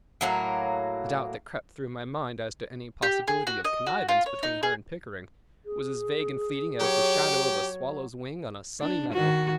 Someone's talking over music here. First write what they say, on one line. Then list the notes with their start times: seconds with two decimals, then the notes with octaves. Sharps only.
The doubt that crept through my mind as to any possibility of connivance between her and Pickering was as vague and fleeting as the shadow of a swallow’s wing on a sunny meadow.
0.21 A2 F#3 A#3
3.03 G4
3.28 G#4
3.47 F#4
3.65 D#5
3.87 F#4
4.09 F4
4.26 C#5
4.43 D#4
4.63 G#4
5.65 G#4
6.80 F#3 G4 C#5
8.80 D4
9.12 D#3 F#4